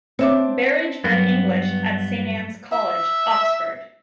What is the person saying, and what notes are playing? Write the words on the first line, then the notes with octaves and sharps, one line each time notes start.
Berridge read English at Saint Anne's College, Oxford.
C4 D4 C#5 E5 D6
G2 F#3 B3
E5